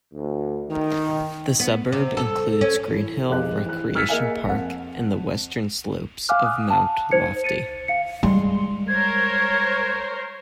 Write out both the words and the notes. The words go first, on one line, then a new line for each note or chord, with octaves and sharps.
The suburb includes Greenhill Recreation Park and the western slopes of Mount Lofty.
D2
D#3
B3
C3
A4
C#4
E3
F1 G4 G#4 C5 D#5 F#6
E3 F#6
E6 F6 G#6 A6 B6 C#7
A#3 G#4 A#4 D#5 E5 G#5
F2 F#5
F5 F#5 G#5 D6 F6 F#6
D#6 F#6
A5
D#4 C5 G#6 C#7
A6 C#7 D#7
F5 C#7
G3 G#3 C6
A#4 C5 C#5 G#6